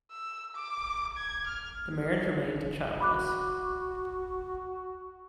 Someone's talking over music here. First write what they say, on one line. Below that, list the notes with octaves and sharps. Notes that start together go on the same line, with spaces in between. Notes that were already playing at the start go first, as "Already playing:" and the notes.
The marriage remained childless.
E6
D6
G#6
F6
F#4 B5 D6 F#6